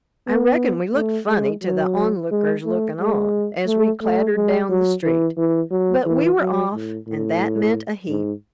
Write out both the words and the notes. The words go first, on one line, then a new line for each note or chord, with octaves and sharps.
I reckon we looked funny to the "onlookers looking on" as we clattered down the street; but we were off and that meant a heap.
B3
A3
G#3
F#3
G#3
A3
G#3
A3
A3
G#3
F#3
E3
E3
F#3
E3
F#3
A2
A2
G#2